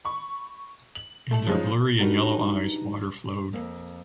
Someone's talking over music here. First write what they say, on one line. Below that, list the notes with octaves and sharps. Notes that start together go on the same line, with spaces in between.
In their blurry and yellow eyes, water flowed.
B5 C#6
F#7
A3 A5 F#7
F3 G#3 C#4 D#4
D4 D#4 F#4 G4 A#4 B4
F2 A#3